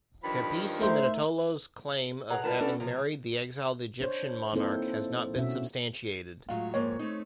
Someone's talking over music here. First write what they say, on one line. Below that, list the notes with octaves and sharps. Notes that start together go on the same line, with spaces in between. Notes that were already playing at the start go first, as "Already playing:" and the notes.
Capece Minutolo's claim of having married the exiled Egyptian monarch has not been substantiated.
G2 D#3 F3 B5
A3 D#4 A#4 C5 E5
B2 G#4 C#5 F#5 A#5
G3 E4 F4 A#4 B4 A5
B3 C#4 D4 E4 F#4 A4
A2 C3 F3
D4 C5 C#5
A#3 C4 D#4 E4 A4 C5
B2 C#4 F#4 E5
A2 F#3 G#3 F4
F2 G#2 A#3 C#5
A3 C4 D#4